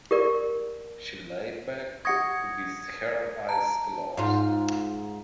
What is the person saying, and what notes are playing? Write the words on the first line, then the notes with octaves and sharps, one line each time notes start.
She lay back with her eyes closed.
G4 A#4 D5
G4 F#5 C#6 D#6 G#6 A#6 C#7
A5 A#5
G#2 F4